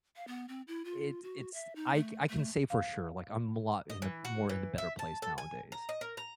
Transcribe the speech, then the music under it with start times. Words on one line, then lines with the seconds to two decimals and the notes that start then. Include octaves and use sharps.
it's it's I c I can say for sure, like, I'm a lot in a more in a better place nowadays.
0.16 F5
0.27 B3
0.49 C4
0.68 E4
0.85 F4
1.23 F#4
1.54 E5
1.76 D#4
1.95 A3
2.29 A3
2.70 F5
3.90 D#5
4.02 E3
4.25 F#4
4.49 E3
4.78 E5
4.99 A5
5.22 A4
5.38 G#5
5.72 A#5
5.89 D#5
6.01 A#4
6.17 A#5